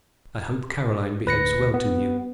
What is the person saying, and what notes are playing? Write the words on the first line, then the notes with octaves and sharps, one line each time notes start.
I hope Caroline behaves well to you.
D2 B4 A#6 C#7
B3